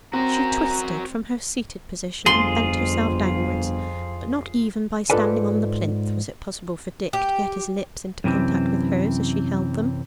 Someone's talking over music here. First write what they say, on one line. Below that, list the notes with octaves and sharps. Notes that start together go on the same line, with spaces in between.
She twisted from her seated position and bent herself downwards, but not even by standing on the plinth was it possible for Dick to get his lips into contact with hers as she held them.
C4 F#4 A#4 A#5
G1 F2 F4 G#4 C6
G#2 F4 A4 B4 D5 G#5
G4
F#2 C3 E3 C4